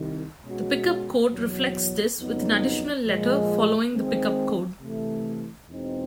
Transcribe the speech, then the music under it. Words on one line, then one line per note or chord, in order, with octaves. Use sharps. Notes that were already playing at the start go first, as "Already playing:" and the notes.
The Pickup code reflects this with an additional letter following the pickup code.
Already playing: C2 C3 D#3
B2 G#3 C#4 F#4
E2 B2 F#3
F2 C#3 F#3 B3 D#4
A#2 F3 G#3
D#3 G#3 C4
C3 E3 A3
E2 B2 G#3 C4 D#4